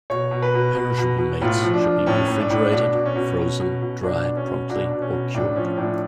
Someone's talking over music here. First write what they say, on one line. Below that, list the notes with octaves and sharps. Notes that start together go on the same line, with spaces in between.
Perishable meats should be refrigerated, frozen, dried promptly or cured.
B2 C#5
B2
B4
B2
B2
B2
B2
A2 F4
F3
D4
F3
A2 C#4
A2
D4
A2
B2 D4
B2
C#4
B2
B2
B2
B2
B2 D4
B2
C#4
B2
B2 D4
B2
C#4
B2
A2 D4
F3 C#4
A2 D4